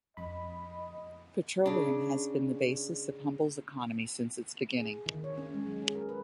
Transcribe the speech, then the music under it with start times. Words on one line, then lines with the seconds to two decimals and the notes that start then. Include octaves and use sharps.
Petroleum has been the basis of Humble's economy since its beginning.
0.17 F2 D#5 B5
1.66 C#3 D4
4.77 G#4
5.06 D#3
5.24 C#5
5.38 C#4
5.54 G#3
5.67 F#3
5.82 G#4
5.95 A#4
6.09 B4